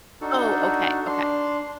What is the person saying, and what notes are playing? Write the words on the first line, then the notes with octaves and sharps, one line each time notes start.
Oh, okay, okay,
D4 D#4 F#4 A4
D4 C6